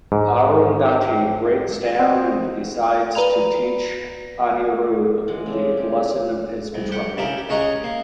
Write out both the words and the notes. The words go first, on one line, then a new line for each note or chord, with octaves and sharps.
Arundhati breaks down and decides to teach Anirudh the lesson of his betrayal.
G#2
C4
B4 D5 A#5 B5 F7
E3 G#3 F#5
C#3 C4 D4
G4
C2
G4 F#5
C#3 E4 G4 A#4
G4
C#2 C#4 C#5 D#5 F#5 A#5
A#3